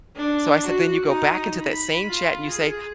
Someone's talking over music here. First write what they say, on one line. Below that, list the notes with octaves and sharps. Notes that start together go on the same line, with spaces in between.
So I said, "Then you go back into that same chat and you say,
D4
F#4
D#4
B5
F4
G#4